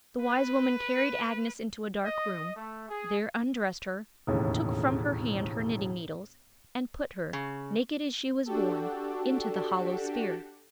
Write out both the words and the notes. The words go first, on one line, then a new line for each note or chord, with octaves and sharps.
The wise woman carried Agnes into a dark room, there undressed her, took from her hand her knitting-needles, and put her, naked as she was born, into the hollow sphere.
B4
D#5
A3
G#4
E1 D#2 A2 C#3
C#3
D4 F#4 G4 A4